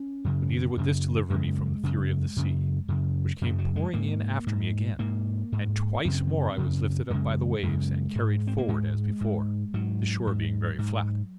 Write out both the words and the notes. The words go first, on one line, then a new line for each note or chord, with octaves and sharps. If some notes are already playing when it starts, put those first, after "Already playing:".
But neither would this deliver me from the fury of the sea, which came pouring in after me again; and twice more I was lifted up by the waves and carried forward as before, the shore being very flat.
Already playing: C#4
F#2 C#3
F#2 C#3
F#2 C#3 G#3
F#2 C#3
F#2 C#3
F#2 C#3
F#2 C#3 F#3
F#3
G#3
G#2 A#3
G#2
G#2 A#3
G#2
F#2 C#3 C4
F#2 C#3
F#2 C#3 G#3
F#2 C#3 G#3
G#2
C4
A#3
G#2 G#3
G#2
G#2 F#3
G#2
G#2